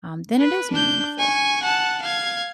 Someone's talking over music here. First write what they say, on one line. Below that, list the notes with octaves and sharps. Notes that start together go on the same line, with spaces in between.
then it is meaningful.
B4
D4 G6
G#5 C#6
F#5 A5
F5 G#6